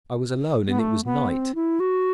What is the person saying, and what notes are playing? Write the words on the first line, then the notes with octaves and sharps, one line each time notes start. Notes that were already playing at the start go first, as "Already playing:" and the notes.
I was alone and it was night.
B3
A3
B3
C4
E4
F#4